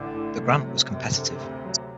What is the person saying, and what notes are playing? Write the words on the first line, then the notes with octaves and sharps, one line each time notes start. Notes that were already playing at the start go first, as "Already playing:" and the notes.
The grant was competitive.
Already playing: A1 D3
A2
C3 A3
F#3
F#2 C3
D3
D2
F#3